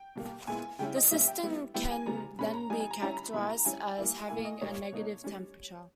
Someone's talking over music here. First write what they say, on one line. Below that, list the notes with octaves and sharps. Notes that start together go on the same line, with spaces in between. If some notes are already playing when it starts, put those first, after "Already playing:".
The system can then be characterised as having a negative temperature.
Already playing: G5
B2 G3 A#3
A#2 G#3 B3 E4 G#5
C#3 G3 C#4 E4 G5
D#5
A#2 G3 C#4 E5
G5
G3 B3 E4
G3 B3 E4 G5
G#5
C#3 G3 B3 A#5
B2 G#3 C#4 B5
A#5
G3 B3 D#4 G#5
G#5
A#5
G3 C#4 E4 A#5
B5
A#2 G3 B3 E4 B5
A#5
G3 C#4 E4 G#5
G3 A#3 E4
A#2 A#3 E4 G#5
D#5
A#2 G3 A#3 D#4 C#5
B2 A#3 D#4
G3 C#4